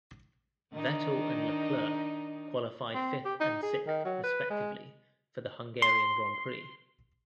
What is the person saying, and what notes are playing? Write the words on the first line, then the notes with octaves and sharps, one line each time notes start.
Vettel and Leclerc qualified fifth and sixth respectively for the Hungarian Grand Prix.
D#3 D4 D#4
C4
G4
D#4
G#4
D#3
F#3
B4
G#3
C6